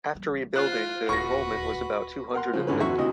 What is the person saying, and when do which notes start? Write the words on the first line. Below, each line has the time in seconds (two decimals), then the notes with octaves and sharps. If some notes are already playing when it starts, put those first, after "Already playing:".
After rebuilding, the enrollment was about two hundred and fifty.
0.15 E3 G3
0.56 F4 C5 F#6
1.09 D#1 D2 F#4 B4 C#6 A#6
2.33 A#4 F#5 C6
2.53 C#3 F3
2.67 G#1 F#2 D3 C#4 B4
2.80 E2 F#4 E5 C#6
2.98 D2 C3 E4 D#5